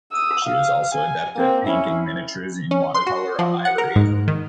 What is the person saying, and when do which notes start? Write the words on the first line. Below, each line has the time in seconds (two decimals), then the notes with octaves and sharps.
She was also adept at painting miniatures in watercolor on ivory.
0.12 D#6 E6
0.45 F5
0.94 G#5
1.36 A#3 C4
1.67 C#4 E4
2.71 C#4
2.94 C6
3.07 F#4
3.39 F3
3.65 F#5
3.78 A#4
3.96 G#2
4.28 D#3